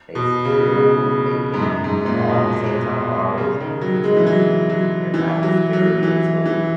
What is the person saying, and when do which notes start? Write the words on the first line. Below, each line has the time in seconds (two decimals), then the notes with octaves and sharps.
They still they they use all the same type of auto zo tune. They're not experimental,
0.15 B2
0.45 C#3
1.54 G#2
1.62 F#2
1.84 G#2
2.06 A#2
2.29 B2
3.37 C#3
3.60 D#3
3.81 F#3
4.04 G#3
4.17 E3
4.27 F#3
4.70 F#3
5.14 E3
5.43 F#3
5.73 F#3
6.03 E3
6.45 E3